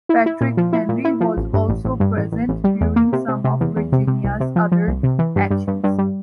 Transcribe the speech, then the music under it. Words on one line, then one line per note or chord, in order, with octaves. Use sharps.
"Patrick Henry" was also present during some of "Virginia"'s other actions.
E4
E4
A#2
F3
E4
A#2
E4
F3
A1
G2
A1
A1
G2
A1
A1
A1
G3
E2
A#3
C3
C3
C3
E2
E2
C3
C3
C2
C3
F3
F3
C2
C3
E3
G2
G2
G2
G2
G3